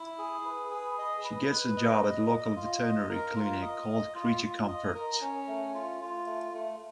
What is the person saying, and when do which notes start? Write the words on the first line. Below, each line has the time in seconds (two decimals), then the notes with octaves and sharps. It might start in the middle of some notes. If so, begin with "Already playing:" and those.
She gets a job at a local veterinary clinic called Creature Comforts.
Already playing: E4
0.19 G#4
0.45 B4
0.71 G#4
0.98 D#5
1.24 B4
1.51 B4
1.77 D#5
2.04 D#5
2.30 D#5
2.56 F4
2.83 D#5
3.09 A#4
3.36 F4
3.62 D#5
3.89 D#5
4.15 F4
4.42 F4
4.68 D#5
4.94 A#4
5.21 C#4
5.48 A3
5.74 F4
6.01 F4
6.26 A3
6.53 A3